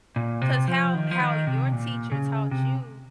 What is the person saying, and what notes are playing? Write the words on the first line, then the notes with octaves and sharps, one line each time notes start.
'cause how how your teacher taught you
A#2
C3
F3
D#3
F3
D#3
C3
A#2
C#3
C3